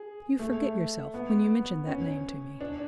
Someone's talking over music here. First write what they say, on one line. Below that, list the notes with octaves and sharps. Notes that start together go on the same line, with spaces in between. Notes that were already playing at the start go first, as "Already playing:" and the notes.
"You forget yourself when you mention that name to me."
Already playing: G#4
A3
B3
C#4
D4